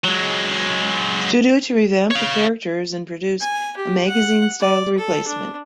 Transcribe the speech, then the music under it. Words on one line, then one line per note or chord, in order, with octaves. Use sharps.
Studio to revamp the characters and produce a magazine styled replacement.
F#3 G#3
C#5 F5
G#5
G4
F#5
D5
A4
D4